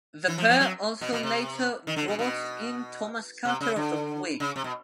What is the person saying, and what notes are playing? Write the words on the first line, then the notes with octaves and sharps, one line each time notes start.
The pair also later brought in Thomas Carter of the "Whig".
E3
F3
F3
F#3
B2
B2
C3
D#3
D3
B2
B2
C3
C#3
D3
C#3
C3
B2